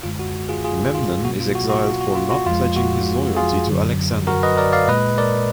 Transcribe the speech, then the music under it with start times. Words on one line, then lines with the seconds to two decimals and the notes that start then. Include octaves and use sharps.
Memnon is exiled for not pledging his loyalty to Alexander.
0.03 F#2 D3 G#3 F4
0.19 F#4
0.49 F4 G#4
0.64 F4 G#4
0.95 F4
1.25 B2 F#3 A#3 F#4
1.40 F4
1.55 F#4
1.70 F#4
1.85 F4
2.01 F#4
2.15 F4
2.30 F#4
2.46 F2 F3 G#3 F4
2.76 F#4
3.36 F4 G#4
3.67 F#2 D3 F#3
4.27 F#4 A#4
4.43 B4 D#5
4.57 A#4 D5
4.73 D5 F5
4.88 A#2 G#3 B4 D#5
5.18 A#4 D5